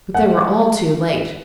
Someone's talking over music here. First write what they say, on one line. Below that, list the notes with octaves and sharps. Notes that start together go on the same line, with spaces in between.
But they were all too late.
F#5